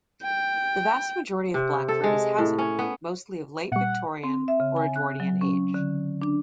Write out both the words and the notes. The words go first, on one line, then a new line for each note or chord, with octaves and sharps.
The vast majority of Blackford is housing, mostly of late Victorian or Edwardian age.
G5
C3
A4
G#3
A2
C#4
B3
A#2 G3 F#5
C4
E5
C#3
G#5
F#6
F#3
C#4
D3
D4